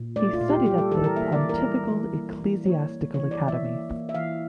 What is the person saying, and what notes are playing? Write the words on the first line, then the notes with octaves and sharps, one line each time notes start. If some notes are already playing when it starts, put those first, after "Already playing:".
He studied at the Pontifical Ecclesiastical Academy.
Already playing: A#2
A3 D5
F4
A#2
G4
G3 G4
A4
E3 A4
A#4
A#3 E5
D5
E3
A#4
G3
E3
A#3
E3
A#3 C#5
A#3
E3 C#5
D5
E3
E5
A#3
A#3
E5
E3 F5